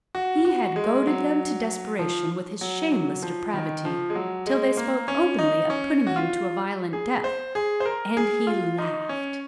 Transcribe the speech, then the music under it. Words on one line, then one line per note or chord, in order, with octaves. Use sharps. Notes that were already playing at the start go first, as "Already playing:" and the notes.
He had goaded them to desperation with his shameless depravity till they spoke openly of putting him to a violent death, and he laughed.
F#4
F#4
G#3
F#3
F3
F#3
F#3
F3
D#3
F3
G#3
F#3
G#3
A#3
C#4
D#4
C#4
F#4
F4
G#4
C5
G#4
C5
A#4
G#4
F4
D#4
C#4